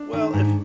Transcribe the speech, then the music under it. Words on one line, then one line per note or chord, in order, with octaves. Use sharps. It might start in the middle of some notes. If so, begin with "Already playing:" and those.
Well, if
Already playing: D4
D#3
G#2